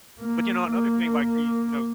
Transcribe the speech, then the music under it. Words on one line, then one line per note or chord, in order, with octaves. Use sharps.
But you know, another thing, like, these, you know
A#3
A#3